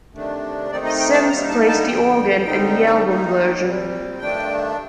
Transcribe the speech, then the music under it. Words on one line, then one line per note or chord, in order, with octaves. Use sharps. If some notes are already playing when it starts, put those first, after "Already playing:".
Sims plays the organ in the album version.
C3 D#3 A3 D4
D#3 A3 C4 D#4 D5
D#5
G5
A5
D3 G3 A#3 D#4 A#5
A5
A5
F2 D3 F3 G5
D3 G3 C4 D#4
D#3 A#3 D#4
A#2 G3 C4
G2 D#3 A3 D4 G5